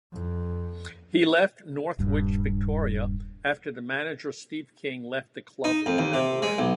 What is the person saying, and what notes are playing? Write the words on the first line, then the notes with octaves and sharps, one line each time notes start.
He left Northwich Victoria after the manager, Steve King, left the club in February.
F2
D#1 G2
D#4
F2
D#2
C3
G#3
B1